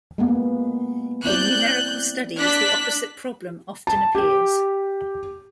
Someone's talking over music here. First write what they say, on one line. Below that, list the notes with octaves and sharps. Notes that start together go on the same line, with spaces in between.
In numerical studies the opposite problem often appears.
G#3 A#3 B3
C4 E4 D5 F#6 G6
D4 F#6 B6
A5
G4